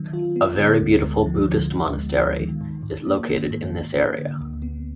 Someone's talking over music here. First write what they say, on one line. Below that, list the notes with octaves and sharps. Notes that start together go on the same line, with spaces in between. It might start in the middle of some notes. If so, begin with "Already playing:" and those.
A very beautiful Buddhist monastery is located in this area.
Already playing: D#3 F#3 B3
F4
B3
D3
D2
G#3
F3
D3
D2
G#3
F3
D#3
G#2
G#2
A#3
D#3
G#2
G#2
A#3
D3
D2
B3